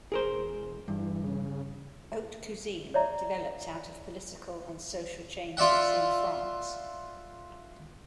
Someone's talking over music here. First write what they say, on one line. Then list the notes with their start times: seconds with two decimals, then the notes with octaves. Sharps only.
"Haute cuisine" developed out of political and social changes in France.
0.12 E1 G#4 A#4 C5
0.88 G2 E3
1.24 C#3
2.94 C#5 D5 E5 A#5
5.57 F4 D5 E5 F#5